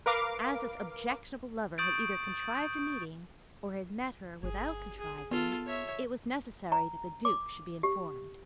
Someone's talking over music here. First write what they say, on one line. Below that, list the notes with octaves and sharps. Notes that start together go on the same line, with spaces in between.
As this objectionable lover had either contrived a meeting, or had met her without contriving, it was necessary that the Duke should be informed.
A#4 B4 F5 D6
C#6 D#6 G6 A6 D7
G1 G#4
G#4
B3 F4 A4
C#5 E5
A#5
D6
G4